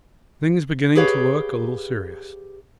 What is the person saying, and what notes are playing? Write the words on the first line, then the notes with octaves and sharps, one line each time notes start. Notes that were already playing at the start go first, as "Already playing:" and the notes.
Things beginning to look a little serious.
G4 G#4 B4 C#5 F5